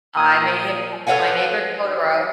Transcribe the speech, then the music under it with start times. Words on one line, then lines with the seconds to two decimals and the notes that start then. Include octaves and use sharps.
I made him watch My Neighbor Totoro.
0.17 A#2 A#5 D#6 E6 G#6
1.07 A4 B4 C#5 F5 F#5 G#5